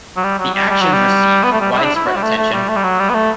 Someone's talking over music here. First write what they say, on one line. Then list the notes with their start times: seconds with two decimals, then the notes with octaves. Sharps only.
The actions received widespread attention.
0.17 F#3
0.23 G3
0.39 F#3
0.54 G3
0.69 G3
0.80 F#3
0.93 G3
1.43 B3
1.52 A3
1.61 G3
1.72 G3
1.79 E4
1.84 D4
1.96 E4
2.07 F#4
2.16 G3
2.22 A3
2.37 A3
2.53 G3
2.68 A3
2.76 G3
2.83 F#3
2.99 G3
3.09 B3
3.14 A3